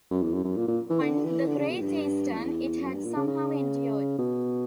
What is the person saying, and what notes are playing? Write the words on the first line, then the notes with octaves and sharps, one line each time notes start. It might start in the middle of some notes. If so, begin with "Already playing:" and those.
On "The Great Eastern", it had somehow endured.
F#2
E2
F#2
F#2
A#2
A#2
E3
D3
E3
D3
C#3
B2
A#2
G2
F#2
E2
F#2
G2
A#2
C#3
C#3
B2